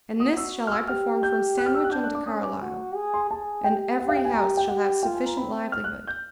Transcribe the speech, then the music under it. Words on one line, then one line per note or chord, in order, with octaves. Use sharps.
And this shall I perform from Sandwich unto Carlisle; and every house shall have sufficient livelihood.
F#4 D#6
E6
F6
E6
G4 F6
G6
F#6
F6
E6
F#6
D4 G6
F#6
D6
C#4 D#6
D6
F#4
G#4
C6
G#4 A5
G4 G5
G4 F#5
F5
G5
G#5
G4 A#5
G5
G4 F#5
F4 G5
G#5
A#5
C4 B5
F6
F#6
G6